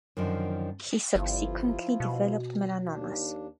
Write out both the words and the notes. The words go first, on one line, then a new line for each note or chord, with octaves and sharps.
He subsequently developed melanomas.
F#2 D3 D#3 F3
G1 F3 E4 F4
B2
D#2 D4